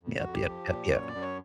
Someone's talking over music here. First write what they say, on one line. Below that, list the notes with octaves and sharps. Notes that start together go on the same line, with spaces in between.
Yep, yep, yep, yep.
F2
F#4
F2
G4
F3
A#2
F#2 C#5
D5
F#2
C#5